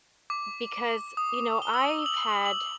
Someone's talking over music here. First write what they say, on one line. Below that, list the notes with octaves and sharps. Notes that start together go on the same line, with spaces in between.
because, you know, I've had
D6
D#6
G7
E6
F#7
F#7